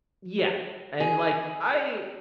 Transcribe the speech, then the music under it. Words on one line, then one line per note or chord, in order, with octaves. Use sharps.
Yeah. And, like, I
G#4